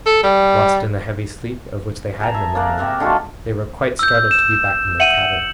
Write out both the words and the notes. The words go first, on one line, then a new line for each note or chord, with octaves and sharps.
Lost in a heavy sleep of which they had no memory, they were quite startled to be back in their cabin.
A4
G3
G#4 A5 A#5
E5
A#3 D5 F#5
C3 E5 F#5
D3 G#3 F4 F#4
E6 G6
E7
E5 F#5 C#7 D#7 F#7